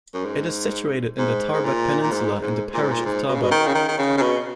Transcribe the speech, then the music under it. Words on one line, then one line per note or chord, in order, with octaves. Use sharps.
It is situated in the Tarbat Peninsula in the parish of Tarbat.
F#2
G#2
G#2
G#2
A#2
A#2
G#2
G#2
A#2
G#2
A#2
G#2
B2
C#3
B2
D#3
C#3
D#3
D#3
C#3
C#3
B2